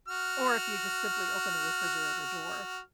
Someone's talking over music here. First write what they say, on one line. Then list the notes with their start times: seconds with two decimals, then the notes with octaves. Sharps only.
Or, if you just simply open the refrigerator door.
0.08 F#4 F6